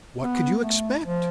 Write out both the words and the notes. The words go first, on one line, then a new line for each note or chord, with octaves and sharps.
What could you expect?
B3
A3
F3